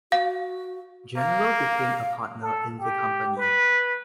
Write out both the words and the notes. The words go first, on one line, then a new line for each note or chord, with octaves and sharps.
General became a partner in the company.
F#4 F5
A#3 F5
A4
G4
B4